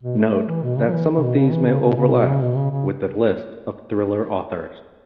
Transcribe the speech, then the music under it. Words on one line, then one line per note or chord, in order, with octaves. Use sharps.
Note that some of these may overlap with the List of thriller authors.
B2
A3
A3
E3
B2
C#3
F#3
E3
C#3
B2
C#3
E3
C#3
C#3
B2
C#3
B2
C#3
B2
C#3
C#3